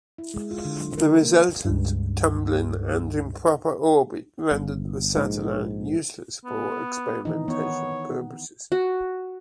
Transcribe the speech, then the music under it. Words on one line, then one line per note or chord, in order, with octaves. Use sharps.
The resultant tumbling and the improper orbit rendered the satellite useless for experimentation purposes.
E4
G#3
F4
D3
F#3
A#4
A#3
C#2 G2
G1
A#1 G#2
B3
D#3 E3 D#4
B3 C#5
F#4